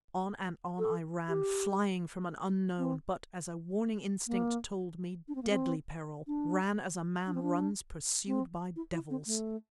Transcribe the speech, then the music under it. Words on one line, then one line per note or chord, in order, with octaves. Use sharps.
On and on I ran--flying from an unknown, but, as a warning instinct told me, deadly peril--ran as a man runs pursued by devils.
A4
G4
C4
A#3
D4
C4
A#3
C4
D4
D4
C4
D4
C4
E4
E4
C4
A3